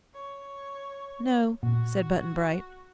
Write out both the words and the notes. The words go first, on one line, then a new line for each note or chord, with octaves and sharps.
"No," said Button-Bright.
C#5
A#2 F#4